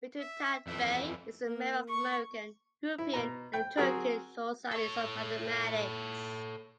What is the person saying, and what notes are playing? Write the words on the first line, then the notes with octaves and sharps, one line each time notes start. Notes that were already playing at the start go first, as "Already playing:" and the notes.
Betül Tanbay is a member of American, European and Turkish societies of mathematics.
E5
F2 E3 E5
A#3
C#6
E4
B2 A#5
G5
F#3 C4 F#4 G#4 A#4
A4 C#5